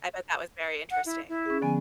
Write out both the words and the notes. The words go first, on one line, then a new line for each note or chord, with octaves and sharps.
I bet that was very interesting.
F#5
E4
E4
C#4 G#4
D3 F3 B3 G#5